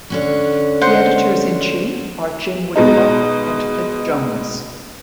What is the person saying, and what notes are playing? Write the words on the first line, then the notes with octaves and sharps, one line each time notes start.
The editors-in-chief are Jim Woodcock and Cliff Jones.
D3 C#4 F#4
C5 F#5
B2 G#3 D#4